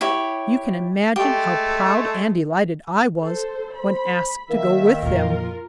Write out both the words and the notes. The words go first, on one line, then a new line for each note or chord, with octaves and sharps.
You can imagine how proud and delighted I was when asked to go with them.
E4 G4 C#5
G#3 A3 G4
A4 C5
C5 B5
D#3 A#3 E5
F2 A#2 F4 A#4